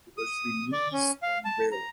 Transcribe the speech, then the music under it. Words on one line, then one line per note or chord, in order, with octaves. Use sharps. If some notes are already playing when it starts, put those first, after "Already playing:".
He was released on bail.
D#6
D5
C#4
F5
A5
A#5